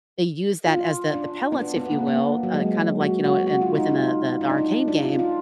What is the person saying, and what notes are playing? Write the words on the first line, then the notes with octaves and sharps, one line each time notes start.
they use that as the the pellets, if you will, uh, kind of, like, you know, in within the the the Arcade game,
F4
D4
B3
D4
B3
A#3
A#3
F#3
G#3
F#4
F#4
F#4
F4
D#4
F4
D#4
D4
D#4
D4
F4
F4